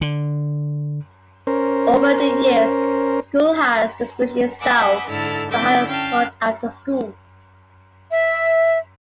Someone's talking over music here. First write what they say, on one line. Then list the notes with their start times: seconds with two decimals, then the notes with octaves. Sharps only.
Over the years, the school has distinguished itself as a highly sought after school.
0.01 D3
1.47 C#4 A#4 C5
4.59 B4 D#5 E5 F#5 G#5 D6
5.08 G#2 D3 E4 A4 A5 F6
5.50 D3 C4 E4 E5 D6 G6
5.87 C#4 F5 G5 A5
8.11 E5